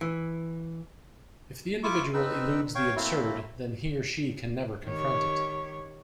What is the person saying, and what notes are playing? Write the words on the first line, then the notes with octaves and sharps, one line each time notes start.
If the individual eludes the Absurd, then he or she can never confront it.
E3
E4 F4 C#6 D6
C4 D#4 B4 E6
C#5 F5 G5 C#6
A3 A#3 C4 E4
D#3 G4 C#5